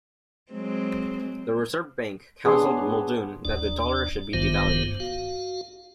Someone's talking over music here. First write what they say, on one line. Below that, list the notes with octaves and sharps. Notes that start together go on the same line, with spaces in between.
The Reserve Bank counselled Muldoon that the dollar should be devalued.
F#3 G#3 C4
B3 D4 G#4 C#5 C6
D#2 D4 D5
A1 G2 D#3 B3 F4 C5
F#4 F5